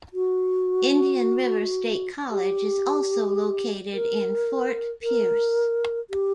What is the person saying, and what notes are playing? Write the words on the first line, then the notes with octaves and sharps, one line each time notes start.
Indian River State College is also located in Fort Pierce.
F#4
G4
A#4
A#4
G4